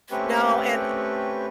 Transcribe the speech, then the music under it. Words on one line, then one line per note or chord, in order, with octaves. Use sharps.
No, and,
A3 C4 C#4 G4 B4 C#6